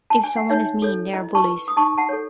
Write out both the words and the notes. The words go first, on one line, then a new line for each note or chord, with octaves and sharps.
If someone is mean, they are bullies.
A5
G#5
F#5
D#4 C#5 E5
A4 C#5
E4 D#5
A5 C#6
B4
D#6
D#4 A5 C#6
F#5 A5
A4 C#5